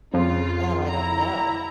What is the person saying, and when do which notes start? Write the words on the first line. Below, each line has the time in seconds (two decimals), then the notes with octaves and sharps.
Um, I don't know.
0.14 F2 C#3 F4
0.87 E4 A#5